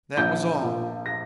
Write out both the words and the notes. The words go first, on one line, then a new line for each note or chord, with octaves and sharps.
That was all.
A#1 G6
A#2
A#6